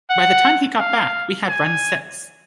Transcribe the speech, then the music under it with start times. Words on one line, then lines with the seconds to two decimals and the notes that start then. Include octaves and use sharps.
By the time he got back we had run six.
0.10 F#5
0.80 F5
1.49 G#5